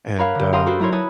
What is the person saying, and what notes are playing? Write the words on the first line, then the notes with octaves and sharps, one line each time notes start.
and, um,
A#4 B4 C#5 F5 F#5
D3 G4
G4 A#4 F5 G5 C6 D#6
D4 F#4 A4 B4 C5 D5
F#3 E4 A#4 C5 C#5
E4 B4 C#5 A5 D#6